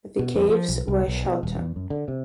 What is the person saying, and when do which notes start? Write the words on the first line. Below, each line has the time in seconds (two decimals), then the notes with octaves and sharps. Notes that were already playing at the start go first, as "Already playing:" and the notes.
The caves were shelter.
0.19 B2
0.35 F2
0.49 F3
0.68 B1
0.88 C2
1.08 B1
1.25 B2
1.43 D#1
1.58 E2
1.76 F#2
1.90 D3
2.08 C3